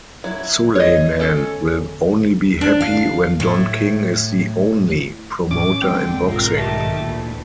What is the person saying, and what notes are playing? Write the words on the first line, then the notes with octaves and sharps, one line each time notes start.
Sulaiman will only be happy when Don King is the "only" promoter in boxing.
F#3 E4
C#5 D#5
C#4 A4
D4
F5
A2
A2 E3 C#4 D6
D3 G#3 A3 C4 G5
B1 G#2 C4 F4 A#4
D#3 A3 G4
D2 A#2 E3